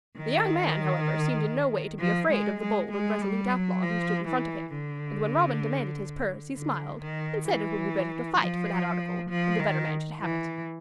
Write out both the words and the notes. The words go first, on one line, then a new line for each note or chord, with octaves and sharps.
The young man, however, seemed in no way to be afraid of the bold and resolute outlaw who stood in front of him, and when Robin demanded his purse he smiled and said it would be better to fight for that article and the better man should have it.
D#3
F3
G#3
G#3
G#3
G3
F#3
F3
E3
D3
D3
D#3
E3
F3
F3
D#3
E3